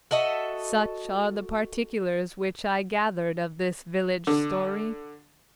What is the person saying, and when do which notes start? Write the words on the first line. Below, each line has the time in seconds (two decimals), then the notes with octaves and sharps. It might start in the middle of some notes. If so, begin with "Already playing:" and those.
Such are the particulars which I gathered of this village story.
0.11 F#4 A4 D#5 E5
4.27 D3